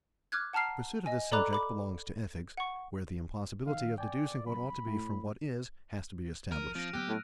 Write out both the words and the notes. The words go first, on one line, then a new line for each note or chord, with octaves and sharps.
The pursuit of this subject belongs to ethics, where the impossibility of deducing what ought to be from what is has to be established.
D6 F6 F#6 G#6
F#5 A5 A#5 F6 C7
D#5 G#5
A4 D5 A#5 B5 D6 F#6
B5 D6
F#5 C#6
F2 D#3 F5
D5 G5 G#5
C2 F#2 B5
A2
F3 A#4 F6 D#7 F7
F3 C4 A#6 D7
F#3 B3 G4 E6 F#6
A2